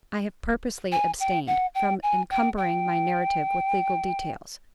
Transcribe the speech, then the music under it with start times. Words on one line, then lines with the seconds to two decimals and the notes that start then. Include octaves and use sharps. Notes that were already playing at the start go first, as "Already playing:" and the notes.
I have purposely abstained from encumbering my narrative with legal details.
0.92 G#5
1.20 G5
1.47 F#5
1.75 G5
2.03 G#5
2.30 G5
2.57 G5